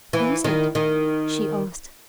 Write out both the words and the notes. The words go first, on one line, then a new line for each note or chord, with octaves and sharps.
"Who is it?" she asked.
E3
D#3
D#3